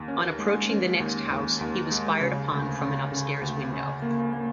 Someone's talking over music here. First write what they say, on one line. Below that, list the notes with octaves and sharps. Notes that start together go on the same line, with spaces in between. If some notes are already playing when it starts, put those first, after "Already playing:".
On approaching the next house, he was fired upon from an upstairs window.
Already playing: D#2
C#4
G#3
C#4
D#2
D#2
D#2
G#3
C#3
D2
C#3
C#3
D2
C#3
A#3
A#3